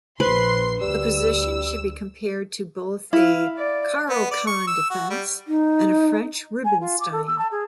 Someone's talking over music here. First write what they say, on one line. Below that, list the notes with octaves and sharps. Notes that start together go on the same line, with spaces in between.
The position should be compared to both a Caro-Kann Defense and a French Rubinstein.
A#1 B4 C5 C6 C7
D2 G3 E6
E4 F5
D5
B3
D5
C#6
E6
F#4
G3
D#4
G#5
F4
D6
A4
E6
A5
G#4